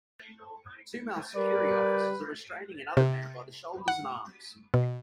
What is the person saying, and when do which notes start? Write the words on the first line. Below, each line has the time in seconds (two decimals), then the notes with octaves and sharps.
Two male security officers are restraining another man by the shoulders and arms.
1.36 G3 A#4 B4 D5
2.97 C3
3.88 F#5
4.74 B2